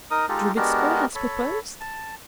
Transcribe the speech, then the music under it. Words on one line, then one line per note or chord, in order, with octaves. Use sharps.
"Drubetskoy has proposed?"
D#4 A#4 D#6
G#3 D#4 F4 G4 A4
G#3 B3 D4 F#4 G4 A#4
A4 C#5 B5
A5